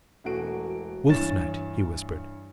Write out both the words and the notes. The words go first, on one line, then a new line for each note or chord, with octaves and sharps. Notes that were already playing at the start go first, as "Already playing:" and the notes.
"Wolf night!" he whispered.
E1 A3 F#4 D7
G2 E3 C#5 A6 E7